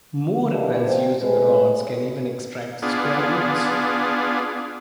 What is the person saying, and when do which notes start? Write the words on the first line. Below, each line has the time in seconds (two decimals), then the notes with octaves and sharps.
More advanced use of the rods can even extract square roots.
0.49 B2 E3 A#3 D4 E4 G4
0.86 C4
1.21 A2 G#3 B4
2.82 B3 D4 F4 G#4